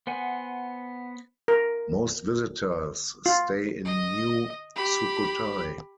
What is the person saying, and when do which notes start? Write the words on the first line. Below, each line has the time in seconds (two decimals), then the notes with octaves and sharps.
Most visitors stay in New Sukhothai.
0.07 B3 C5 F#5 G#5
1.48 A#4
3.26 F4
3.86 D#5
4.76 G4 B5